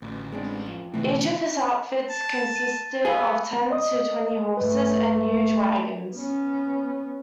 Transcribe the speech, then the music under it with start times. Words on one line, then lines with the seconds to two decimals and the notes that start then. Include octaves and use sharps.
Each of his outfits consisted of ten to twenty horses and huge wagons.
0.02 A1 D2
0.32 G#3 C4 D4
0.66 F2
0.94 B2 D3 E3 A3 C4
2.10 A5
2.56 A6 D#7
3.05 B3 G#4 F5 B5 E6
3.70 D5 D#5 D#6
4.57 G2 A3 B4
6.15 B3 C#4